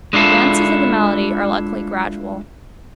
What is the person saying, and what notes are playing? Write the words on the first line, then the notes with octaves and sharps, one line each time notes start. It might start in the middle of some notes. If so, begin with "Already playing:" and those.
The advances of the malady are, luckily, gradual.
G#3 D4 E4 F4 A4